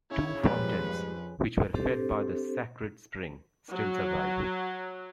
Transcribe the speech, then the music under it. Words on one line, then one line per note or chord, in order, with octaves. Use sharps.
Two fountains, which were fed by the sacred spring, still survive.
C#3 E4 C#5
F2 G#2 G3 B4
C4 D4 G4 A4 C5
F#3